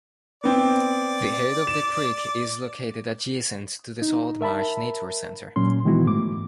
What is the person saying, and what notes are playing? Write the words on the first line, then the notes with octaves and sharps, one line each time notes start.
The head of the creek is located adjacent to the Salt Marsh Nature Center.
B3 C4 D5
E7
D#4
A#4 E5 A5 B5
A#2 F#3 C#4 C6
D#3 E3 G#3 B3 E4 F#4
G#2 A3 D6